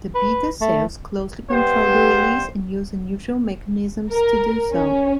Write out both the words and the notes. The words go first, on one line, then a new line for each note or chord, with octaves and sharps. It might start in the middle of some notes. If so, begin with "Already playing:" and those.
The beta cells closely control the release, and use unusual mechanisms to do so.
B4
A3
G2 B3 G4 C5
A#4
C#4